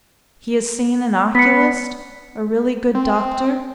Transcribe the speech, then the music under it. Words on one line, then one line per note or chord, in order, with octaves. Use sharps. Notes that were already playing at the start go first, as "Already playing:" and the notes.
'He has seen an oculist?--a really good doctor?'
B3 B6 C#7
C4